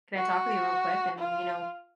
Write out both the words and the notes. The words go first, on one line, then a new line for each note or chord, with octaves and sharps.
can I talk with you real quick?" And, you know,
F#4
F4